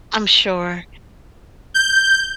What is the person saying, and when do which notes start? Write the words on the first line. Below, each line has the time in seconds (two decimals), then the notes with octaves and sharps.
I'm sure.
1.74 G6